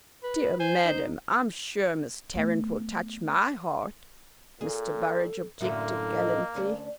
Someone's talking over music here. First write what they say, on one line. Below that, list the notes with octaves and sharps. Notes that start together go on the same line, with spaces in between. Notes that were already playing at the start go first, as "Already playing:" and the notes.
"Dear madam, I'm sure Miss Tarrant will touch my heart!" Mr. Burrage objected, gallantly.
B4
C5 G#5
D#4
A3 B3
A#2 G#4 A4
F#2 A2 D3 A#3 E5
D#5
D2 C#4 D4 D5